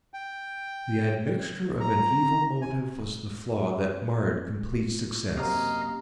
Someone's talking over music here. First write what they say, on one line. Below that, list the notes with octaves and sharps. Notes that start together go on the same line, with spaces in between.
The admixture of an evil motive was the flaw that marred complete success.
G5
A#5
G#5
F#2 C3 A#3 G4 D#5 F5 A#5